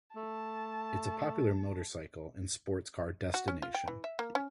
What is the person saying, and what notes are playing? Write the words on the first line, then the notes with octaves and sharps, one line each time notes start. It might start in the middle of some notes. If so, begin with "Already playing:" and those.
It is a popular motorcycle and sports car destination.
A3 A5
F#4
C#4
F4
G5
E3
E5
A#3
C#4